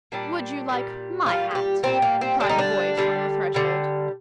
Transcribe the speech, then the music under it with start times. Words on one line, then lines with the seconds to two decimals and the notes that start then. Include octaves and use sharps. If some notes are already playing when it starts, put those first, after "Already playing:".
"Would you like my hat?" cried a voice on the threshold.
0.12 A#2 G3 D4
0.69 A#2 G3
1.26 A#2 G3 F4
1.51 G#4
1.55 G4
1.83 A#2 G3 C4
2.02 A#3
2.21 C4
2.40 D3 G3 D4
2.49 D#4
2.59 D4
2.97 D3 G3
3.54 D3 G3